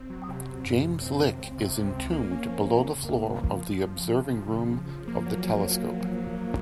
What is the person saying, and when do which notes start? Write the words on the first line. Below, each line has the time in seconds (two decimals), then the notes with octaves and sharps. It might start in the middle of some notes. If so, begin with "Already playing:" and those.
James Lick is entombed below the floor of the observing room of the telescope.
Already playing: C4
0.10 F#3
0.29 C3
0.47 C3
0.65 F#2
0.84 F#2
1.02 C4
1.21 C4
1.39 C#2
1.58 C3
1.76 C3
1.94 C#2
2.13 A#3
2.31 C#4
2.49 F3
2.68 C#4
2.86 C#3
3.05 A#3
3.23 C#3
3.42 F3
3.61 F3
3.79 F3
3.97 C#3
4.16 C#3
4.34 F3
4.52 F3
4.71 F3
4.89 F3
5.08 A#3
5.26 F#3
5.45 F#3